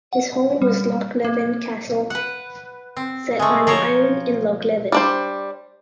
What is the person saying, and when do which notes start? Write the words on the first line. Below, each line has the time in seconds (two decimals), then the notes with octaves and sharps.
His home was Lochleven Castle set on an island in Loch Leven.
0.13 F#5
0.62 G3
1.25 A#3
2.10 B4 F#5
2.97 C4
3.39 G#3 A3
3.67 F3 A#4 C5 C#5
4.92 G3 D4 C5